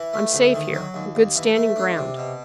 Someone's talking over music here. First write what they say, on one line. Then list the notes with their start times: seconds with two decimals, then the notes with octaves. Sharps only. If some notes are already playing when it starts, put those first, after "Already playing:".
I'm safe here, on good standing-ground.
Already playing: E3
0.13 A3
0.33 D2
0.54 D#3
0.74 F#3
0.94 D#2
1.15 D#2
1.36 E3
1.56 A3
1.76 D4
1.97 C3
2.17 B2